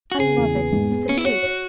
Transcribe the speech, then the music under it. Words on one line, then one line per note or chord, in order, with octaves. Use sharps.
"I love it," said Kate.
F#4
C#3 G#4
E2
B3
G#2
B3
B3 C#4
E4
F#4 C#5
C#5